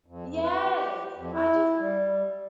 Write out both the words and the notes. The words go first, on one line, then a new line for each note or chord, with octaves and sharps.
Yes! I just
F2
F2
B4
G4
F2
E4
G3